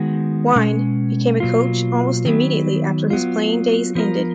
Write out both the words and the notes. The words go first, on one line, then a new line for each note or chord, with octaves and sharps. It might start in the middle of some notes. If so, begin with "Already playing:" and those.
Wine became a coach almost immediately after his playing days ended.
Already playing: D#3 G#3 B3 F#4
B2 G#3 C#4
B2 F#3 A#3 F4
D#3 F#3 B3
F#3 B3 F4
F3 B3 F4 A#4